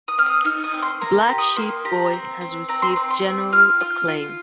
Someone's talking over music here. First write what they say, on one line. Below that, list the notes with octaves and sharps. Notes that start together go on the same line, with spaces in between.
"Black Sheep Boy" has received general acclaim.
D#6
C4 F6
D#6
D#4 F6
D#6
C4
C6
A#3 A#5
G4
D#6
A#3 C6
G4 A#5
C4
C4
C4 A#5
C6
C4 C6
C6
C4
F4 F6
F4
F4